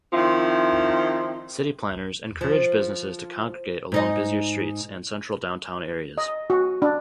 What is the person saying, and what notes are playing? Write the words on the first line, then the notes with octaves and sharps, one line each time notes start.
City planners encourage businesses to congregate along busier streets and central downtown areas.
D#3 F3 C4 E4
F3
G#2 D#4 D#5
D#5
F#4
D4